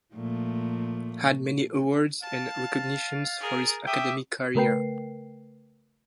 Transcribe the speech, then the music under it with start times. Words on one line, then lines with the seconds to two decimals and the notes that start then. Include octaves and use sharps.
Had many awards and recognitions for his academic career.
0.13 A#2 F3 A3
2.23 F5 A5 A6
3.40 G#4 A#4
3.87 E5 G5 D6 D#6
4.55 C#3 A3 A#4 B4 G5 C7